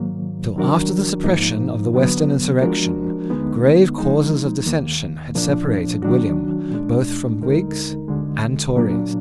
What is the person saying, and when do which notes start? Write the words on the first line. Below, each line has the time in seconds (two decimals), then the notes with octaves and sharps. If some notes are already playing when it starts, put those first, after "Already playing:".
Till after the suppression of the Western insurrection grave causes of dissension had separated William both from Whigs and Tories.
Already playing: G#2 D#3 F#3 A#3
0.56 D#3 F#3 D4 F#4 A#4
1.24 G#2 F3 A#3 D#4
1.93 D3 F#3 B3
2.61 F3 G#3 D4 F#4 A#4
3.29 D2 D3 G#3 B3 D#4
3.98 F3 G#3 D#4
4.66 D#2 D#3 A#3
5.35 A#2 F3 A#3 D4
6.02 D#3 F#3 D4 F#4
6.71 A#2 G#3 D4
7.40 D#2 D3 G#3 D#4 A#4
8.08 D2 D3 G#3
8.77 A#2 F#3 A#3 D4